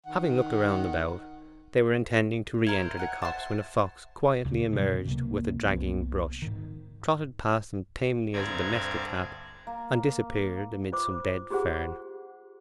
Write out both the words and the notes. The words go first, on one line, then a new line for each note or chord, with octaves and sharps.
Having looked round about, they were intending to re-enter the copse when a fox quietly emerged with a dragging brush, trotted past them tamely as a domestic cat, and disappeared amid some dead fern.
D#3 F#5
E4 A#4 C5
F#5 G#5
C5 E5 A5
D2 C#3
B2 D#3 F#3
C#2 C3 G3 A#3
C2 F3 A#3 B3
G#2 D#3
D2 G2 C4 D5 A#5 G#6
A#3
F4 C5 D6
F4 G4 G#4 C5 F#5